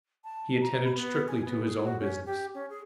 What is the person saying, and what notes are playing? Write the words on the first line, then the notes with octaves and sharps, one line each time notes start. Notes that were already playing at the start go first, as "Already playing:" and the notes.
He attended strictly to his own business.
A5
A#5
B5
B3
G#5
B3
G#4
F#4
C#4
G4
C#4
G#4